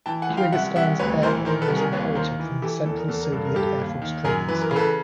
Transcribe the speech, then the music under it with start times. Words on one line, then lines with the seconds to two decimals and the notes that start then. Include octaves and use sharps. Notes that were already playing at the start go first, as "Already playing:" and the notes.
Kyrgyzstan's air arm was inherited from the central Soviet air force training school.
0.06 E3 G5 A5
0.22 F#5 G#5
0.29 C#2
0.37 F5 G5
0.52 C2 E5 F#5
0.76 C2 E5 F#5
0.99 D2 B4 C#5
1.22 E3 A#4 C5
1.45 D#3 A#4 C5
1.62 A4 B4
1.68 C2
1.76 G#4 A#4
1.92 D#2 B4 C#5
2.15 D#3 A#4 C5
2.39 E3
2.62 E3 G4 A4
2.85 E2 A4
2.97 A#4
3.08 E2 A4
3.21 A#4
3.32 G2 A4
3.45 A#4
3.55 G2 G4 A4
3.78 D#2
4.02 D#3
4.24 F#2 G#4 A#4
4.48 E3 B4
4.61 A#4
4.71 C#3
4.76 A4 B4